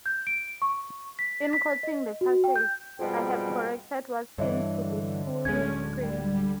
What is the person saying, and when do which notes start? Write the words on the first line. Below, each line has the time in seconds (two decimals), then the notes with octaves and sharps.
In quoting the passage, I have corrected what seem to be two misprints.
0.06 G6
0.27 D7
0.62 C#6
1.19 B6
1.53 B6
1.83 D#5
2.21 F#4
2.44 G5
2.56 G6
2.99 F2 G#2 B2 F3 G3 G5
4.38 G2 D3 E3 C#5 D#5 E5
5.45 D1 G#3 C#4 G#6
6.02 G3